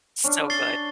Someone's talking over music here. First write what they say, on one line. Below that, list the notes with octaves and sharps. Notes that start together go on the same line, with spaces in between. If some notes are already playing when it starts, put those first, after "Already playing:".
So good.
C#4 D4
A6 C7 G7